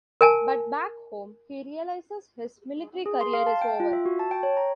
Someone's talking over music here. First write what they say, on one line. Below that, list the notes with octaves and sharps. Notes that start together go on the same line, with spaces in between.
But back home he realizes his military career is over.
A#4 G#5 A5
G#4
C6
F5
A5
G5
F4
E5
F#4
A5
G5
C#5
A#5